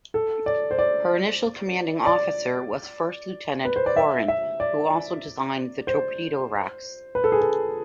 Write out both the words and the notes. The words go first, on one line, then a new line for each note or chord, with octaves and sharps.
Her initial commanding officer was First Lieutenant Koren, who also designed the torpedo racks.
A4
D5
C5
D5
D5
B4
C5
D5
E5
E5
D5
C5
B4
A4
G#4
A4